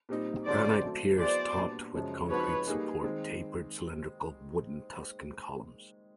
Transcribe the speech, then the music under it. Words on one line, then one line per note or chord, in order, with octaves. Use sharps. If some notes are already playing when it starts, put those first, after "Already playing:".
Granite piers topped with concrete support tapered cylindrical wooden Tuscan columns.
A#2 G3 C4 D#4
D3 F3 G#3 C#4 F#4 C5 D5
F#3 A3 C4
F#3 B3 E4 G#4 C5 D5
A#2 G3 B3 D4 F#4
F#2 C#3 F3 G#3 C#4
F3 G#3 C4 D#4 F#4 B4 C#5
G3 A#3 D#4 G#4 B4
D#3 G#3 C4